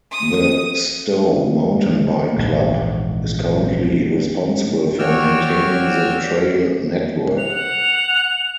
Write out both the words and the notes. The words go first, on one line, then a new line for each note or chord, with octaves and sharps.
The Stowe Mountain Bike Club is currently responsible for maintaining the trail network.
D#6
E1 A#1 E2 G#2
F#4 C#5 D5 G5 E6 F6
F#5 F7